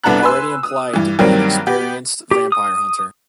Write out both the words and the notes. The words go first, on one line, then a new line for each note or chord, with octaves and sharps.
Already implied to be an experienced vampire hunter.
C2 B3 D4 A4 A#5 F#6
B4 G#5 C6 E6
D#6
G2 E3
G2 D#3 F#3 G3 A#3 C4
B3 G4
G4
D#6